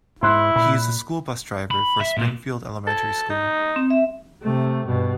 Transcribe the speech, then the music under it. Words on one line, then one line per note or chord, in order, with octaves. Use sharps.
He is the school bus driver for Springfield Elementary School.
G#2 E4 C6 F#6
A#2 B5
B5
E5
A#2
A4
D#4
C4
E5
C3 A3
G2 B2